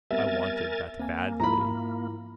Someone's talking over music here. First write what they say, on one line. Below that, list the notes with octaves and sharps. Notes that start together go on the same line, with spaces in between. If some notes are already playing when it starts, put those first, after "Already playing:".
I wanted that badly.
G3 B3 C4 A#4 E5 G#5 A6
A#3 C4 G#5
G#2 F3 E4 A#5 B5